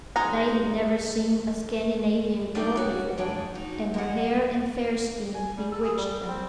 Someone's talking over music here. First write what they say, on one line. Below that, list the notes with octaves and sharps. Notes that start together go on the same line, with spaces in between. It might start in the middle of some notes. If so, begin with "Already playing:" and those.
They had never seen a Scandinavian girl before, and her hair and fair skin bewitched them.
G#3 D#4 A#5
G3 D4 D#4 G4 C5 D5
C#4 F#4
F2 D4 G#4 G5
D#4 F#4
A#3 F#5
G#5
G3
A4
G#4
G3
C4